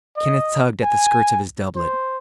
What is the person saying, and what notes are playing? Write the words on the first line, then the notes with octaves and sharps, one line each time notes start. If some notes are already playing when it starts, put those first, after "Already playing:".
Kenneth tugged at the skirts of his doublet.
D#5
G#5
C5